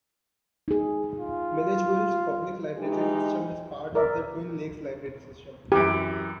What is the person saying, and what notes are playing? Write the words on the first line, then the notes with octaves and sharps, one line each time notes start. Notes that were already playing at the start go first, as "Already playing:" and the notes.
Milledgeville's public library system is part of the Twin Lakes Library System.
D#4 G#4
F4
E3 G#3 D#4 G4
A#4 D5 E5
F#2 E3 G4